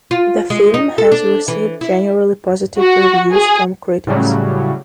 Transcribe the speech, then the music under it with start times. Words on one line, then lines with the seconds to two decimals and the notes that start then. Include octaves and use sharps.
The film has received generally positive reviews from critics.
0.11 F4
0.50 G#3
0.74 D#4
0.98 A4
1.12 D4
1.48 E3
1.81 E4
2.79 F#4
3.32 G#4
4.07 A2 C#3 F#3 G3